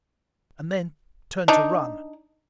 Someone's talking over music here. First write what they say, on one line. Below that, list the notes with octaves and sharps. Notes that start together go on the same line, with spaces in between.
And then turned to run.
D4 D#4